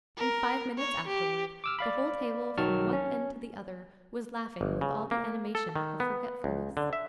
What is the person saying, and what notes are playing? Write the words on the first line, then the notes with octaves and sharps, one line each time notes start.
And, five minutes afterward, the whole table from one end to the other, was laughing with all the animation of forgetfulness.
A#4
C#5
G4
D6 E6 F6
D5 F5 B5
B1 D#3 F#3 A5 C#6 F6
C#4
G1
C#3
A#3
A4
D#3
B3
C#2
D3
E5